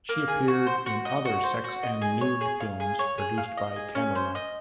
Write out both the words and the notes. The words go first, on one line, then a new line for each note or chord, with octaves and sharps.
She appeared in other sex and nude films produced by "Kamera".
A#3
G#4
F#4
C5
F#4
D#5
F#4
C5
F#4
D#5
G#4
C#5
G#4
F5
G#4
C#5
G#4
F5
D#5
G#4
C#4
C5
D#5